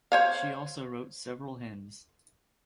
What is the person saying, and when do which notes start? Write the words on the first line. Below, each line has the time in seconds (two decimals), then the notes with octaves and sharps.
She also wrote several hymns.
0.12 C5 C#5 F5